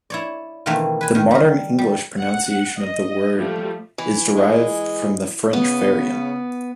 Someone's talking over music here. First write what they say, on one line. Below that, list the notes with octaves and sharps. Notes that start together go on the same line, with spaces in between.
The modern English pronunciation of the word is derived from the French variant.
E4 C#5 D5
B2 D#3 E3 A3 A#3 C4
B4 G#5 B5
D#3
G3 A#4
G3
F#5
D#5
F3 G3 A3
E3
G#3
C#3 B3